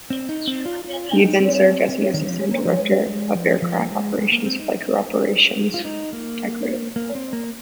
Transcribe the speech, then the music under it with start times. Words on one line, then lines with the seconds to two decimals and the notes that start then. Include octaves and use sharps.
He then served as the Assistant Director for Aircraft Operations, Flight Crew Operations Directorate.
0.10 C4
0.29 D#4
0.47 C4
0.66 F4
0.85 F4
1.12 D#4
1.40 C4
2.14 D#3
2.27 F3
2.39 G#3
2.51 A#3
2.65 F3
2.79 G#3
3.07 G#3
3.35 F3
3.62 F3
3.79 A#3
3.90 G#3
4.18 G#3
4.32 A#3
4.46 C4
4.60 D#4
5.74 F4
5.85 D#4
6.13 A#3
6.96 A#3
7.15 C4
7.33 A#3